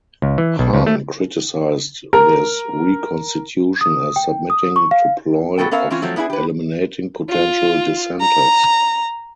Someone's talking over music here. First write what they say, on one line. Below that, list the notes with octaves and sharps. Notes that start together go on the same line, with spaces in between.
Hahn criticized this reconstitution as submitting to ploy of eliminating potential dissenters.
C#2
E3
B1
C#2
A3
A#4
D#6
G5
D#6
C#6
F5
A#2 B3 F#4 A4 G5
B3 C#4 A#4 E5 F5
E3 C4 C#4 F4
F3 F#3 A3 C4
B3 D4 E4 F4 G#4
G4 B4
F4
A#5